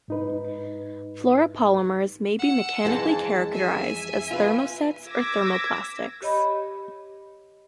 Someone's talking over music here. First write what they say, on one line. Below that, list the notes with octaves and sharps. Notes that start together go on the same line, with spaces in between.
Fluoropolymers may be mechanically characterized as thermosets or thermoplastics.
G#2 D#4 B4
F#5 E6
F2 E3 G#3 A5
E5 G#5
F4 B4
D6 E6 G#6 A#6 B6
G4 C#5 D#5 B5